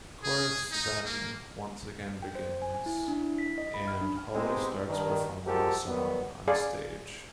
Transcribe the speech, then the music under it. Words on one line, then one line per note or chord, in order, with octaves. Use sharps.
The chorus then once again begins and Holly starts performing the song on stage.
G#4
D#4
A#3
G5
C5
G#5
G#5
E4
D4
E4
B6
D#5
B5
F6
D4
G#3 B3 C4 D#4 G4 G#4
G2 D#3
F3 G#3 F#4 G4 A4 A#4
D#3 F#3 G3 B3
G#4 D5 F5 G#5